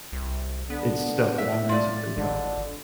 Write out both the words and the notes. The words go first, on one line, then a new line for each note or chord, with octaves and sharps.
It's stuff that I'm insecure about.
C2
D3 B3
E5
A2 F4 D5
G#1 D3